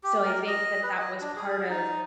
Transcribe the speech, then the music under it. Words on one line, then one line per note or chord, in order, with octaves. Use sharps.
so I think that that was part of
G4
A#4
D#5
B4
D#5
D4
G#4
D#4